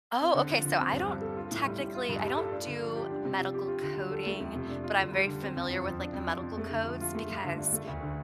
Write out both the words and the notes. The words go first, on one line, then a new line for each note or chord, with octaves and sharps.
Oh, okay so, I don't technically, I don't do medical coding, but I'm very familiar with, like, the medical codes because
C4
D3
F3
D3
C4
G2
G3
A4
F4
A2
G3
A2
F4
G2
G3
A4
D4
D3
F3
G4
D4
C3
F3
G4
F4
D3
G3
A4
A3
F2
C3
D4
F4
D3
G3
D3
C4
F2
F3
F2
D4
F2
F3
F2
A3
D3
F3
F4
A3
G2
D3
D4
A3
D2
D3